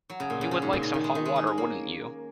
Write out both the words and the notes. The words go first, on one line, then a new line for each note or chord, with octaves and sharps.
You would like some hot water, wouldn't you?
F#3
C#3
A#2
C#3
C#3
G#2
A#2
C#3
D#3
G#3
D#3
G#3
C#4
C#4
A#3